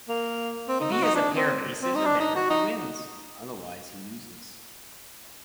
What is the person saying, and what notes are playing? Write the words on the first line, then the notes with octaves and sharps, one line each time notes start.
If he has a pair of aces or better, he wins, otherwise he loses.
A#3
C4
D#4
F#4
D#4
D4
C4
C4
D#4
D4
D#4
F#4
D#4